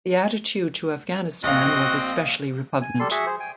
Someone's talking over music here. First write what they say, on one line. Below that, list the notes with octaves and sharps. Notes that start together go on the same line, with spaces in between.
The attitude to Afghanistan was especially repugnant.
A#1 C4 F#4 D#5 F5
G#5
G3 A4 C6
F#4 G#4 E5 F#5
G#4 C5
G5 G#5